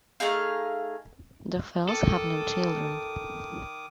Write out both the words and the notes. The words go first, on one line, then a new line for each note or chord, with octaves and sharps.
The Fells have no children.
A3 D#4 G#4 F5
D#3 A4 D6 D#6